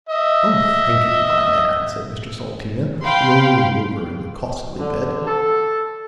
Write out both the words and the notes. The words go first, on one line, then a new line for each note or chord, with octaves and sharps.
Oh thank you my man said Mr Salteena rolling over in the costly bed.
D#5 E5
F5 G5 B5 C6
D3
A4